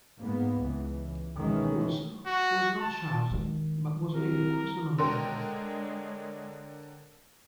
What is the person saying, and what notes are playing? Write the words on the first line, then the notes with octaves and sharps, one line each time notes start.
Wasser was not charged but was made a person of interest.
G#2 A#3 B3
C#2 E3
B2 D#3 E3 G#3 A3 C#4
F#4
A5
D#3 G#3
C2 A#4
D3 G#3 A#4 C#5 D5 G5 C6